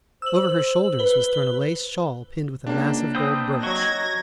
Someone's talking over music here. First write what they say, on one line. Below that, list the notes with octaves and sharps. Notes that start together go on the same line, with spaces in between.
Over her shoulders was thrown a lace shawl pinned with a massive gold brooch.
C5 E6 F#7
B4 G7
C#2 A#3 D4
C4 B4 G5 D#6
F#3 F#4 D#5 C#6 G#6 A#6